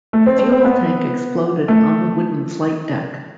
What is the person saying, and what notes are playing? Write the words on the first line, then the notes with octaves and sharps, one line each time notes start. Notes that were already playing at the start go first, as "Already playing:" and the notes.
The fuel tank exploded on the wooden flight deck.
A3
C4
C4
C4
B3
A3